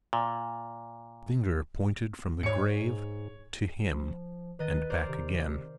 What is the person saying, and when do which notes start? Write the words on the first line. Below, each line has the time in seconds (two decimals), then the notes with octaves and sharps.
The finger pointed from the grave to him, and back again.
0.13 A#2
2.43 G#2 C#5 C#7
3.84 F3
4.59 D#3 B4 D#5 A6
4.90 A#4 C5 D5
5.08 C3